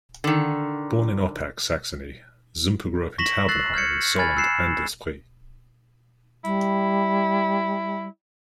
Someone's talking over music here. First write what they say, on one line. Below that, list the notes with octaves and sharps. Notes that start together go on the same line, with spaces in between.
Born in Oppach, Saxony, Zumpe grew up in Taubenheim in Sohland an der Spree.
D3 D#3
C#6 A#6 B6 E7 F#7
E6 F#6 A6 C7 F#7
F6 G6 G#6 C#7
G#5 B5 F6 G#6 A6
E6 F#6 C7 E7
G3 E4